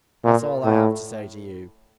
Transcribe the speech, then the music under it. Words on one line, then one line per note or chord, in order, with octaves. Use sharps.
That's all I have to say to you.
A#2
A2